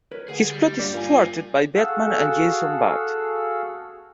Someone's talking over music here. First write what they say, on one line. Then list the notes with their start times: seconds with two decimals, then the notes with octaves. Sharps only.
His plot is thwarted by Batman and Jason Bard.
0.11 A#4 B4 C#5
0.28 D2 G#4 F#5
0.52 G3
0.79 G2 A#2 D4 D5
0.94 F4 A#4 G#5
1.75 F#4 G#4 A4 F5 F#5 E6